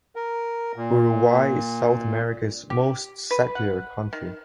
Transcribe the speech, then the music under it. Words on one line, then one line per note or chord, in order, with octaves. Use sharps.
Uruguay is South America's most secular country.
A#4
A#2
G4
B4
F#5
D#3